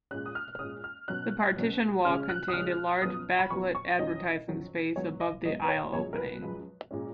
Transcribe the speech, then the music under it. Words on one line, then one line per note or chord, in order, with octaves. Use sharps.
The partition wall contained a large backlit advertising space above the aisle opening.
A#2 G#3 C#4 F#6
D#6
F6
A#2 G#3 C#4 D#6
F6
B2 F#3 C#4 F#6
B2 F#3 C#4
C#3 G#3 C#4 F6
F#6
D#6
C#3 G#3 C#4 F6
F#2 F3 B3 D#6
B5
F#2 F3 B3 C#6
C#6
F2 D#3 F#3 C#4 D#5
F2 D#3 F#3 C#4
G#2 F#3 B3 C#5
D#5
G#2 F#3 B3 D#5
B4
C#5
F#2 F3 G#3 C#5
A#4
B4
F#2 F3 G#3
A#2 G#3 C#4